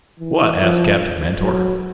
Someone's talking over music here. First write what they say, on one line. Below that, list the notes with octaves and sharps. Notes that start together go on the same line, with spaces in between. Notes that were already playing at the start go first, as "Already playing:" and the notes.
"What?" asked Captain Mentor.
E3
F3
F#3